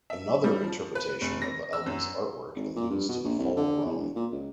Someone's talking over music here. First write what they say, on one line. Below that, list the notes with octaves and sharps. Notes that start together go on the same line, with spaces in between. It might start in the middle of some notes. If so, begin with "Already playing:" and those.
Another interpretation of the album's artwork alludes to the fall of Rome.
E5
G3
F3
B4
F1
A#6
E6
F#2
G#1
A#2
G2
B2
A#1
C2
D3
E2
E1
A#2
C#2